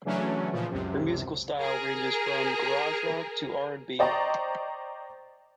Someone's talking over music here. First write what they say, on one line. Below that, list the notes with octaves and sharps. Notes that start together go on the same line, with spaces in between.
Her musical style ranges from garage rock to R and B.
C#3 E3 F#3 A3 C#4 D4
A#2 C#3 E3 F3
C#2 F#2 C3
G#4 A#4
C5 D5 D#5 G5 A#5 C#6